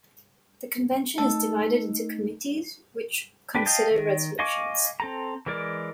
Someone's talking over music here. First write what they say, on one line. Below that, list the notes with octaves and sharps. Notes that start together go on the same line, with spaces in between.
The convention is divided into committees which consider resolutions.
A3 D#4 A4
D4 G4 B4
D#5 F5 G5 A5
D#3
D#5 F5 G#5 C#6 D6
C4 A4 A#5
E3 G#3 A#4 D5